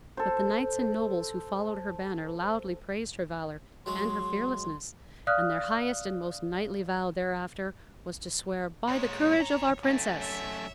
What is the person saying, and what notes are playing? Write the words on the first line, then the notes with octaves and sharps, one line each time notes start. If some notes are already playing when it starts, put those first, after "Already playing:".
But the knights and nobles who followed her banner loudly praised her valor and her fearlessness, and their highest and most knightly vow thereafter was to swear "By the courage of our Princess."
A4 C5
F#3 G#3 C6
D5 F5 D#6 F6 F#6
A#2 G#3 C#5
E3 A#5
F#2 A3
C#5 E5